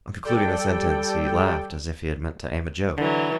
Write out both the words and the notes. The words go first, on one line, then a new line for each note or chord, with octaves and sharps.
On concluding the sentence he laughed as if he had meant to aim a joke.
G3 A4 D5 G5
D3 E3 F#3